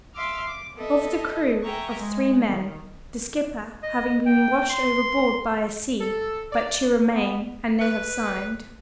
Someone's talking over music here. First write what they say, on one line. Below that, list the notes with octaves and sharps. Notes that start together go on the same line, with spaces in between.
"Of the crew of three men, the skipper having been washed overboard by a sea, but two remain, and they have signed."
E5 F5 C6 D6 E6 F6
D6
B3 A4 D#5 E5
E5 G5 G#5 A#5 C#6
G#3
D#3
D#5
G5
C6
A4
D5
B3
B4